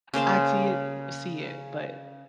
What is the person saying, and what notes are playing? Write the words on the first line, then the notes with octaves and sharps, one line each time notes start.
I did see it but
C#3 A#3 C5 A5